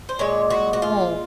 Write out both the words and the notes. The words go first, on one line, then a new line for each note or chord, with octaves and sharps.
I know.
C5
A#2 G#3 C#5
F#4
F#4
F4